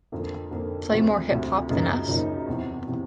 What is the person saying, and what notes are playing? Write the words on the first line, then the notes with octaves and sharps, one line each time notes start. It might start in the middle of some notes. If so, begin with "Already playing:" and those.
Play more hip-hop than us?
F2 D3 F3 A#3
F2 D3 F3 A#3
D2 C3 F3
D2 C3 F3
F#2 C#3 F3 A#3 D#4
F#2 C#3 F3 A#3 D#4
E2 C3 E3
C3 E3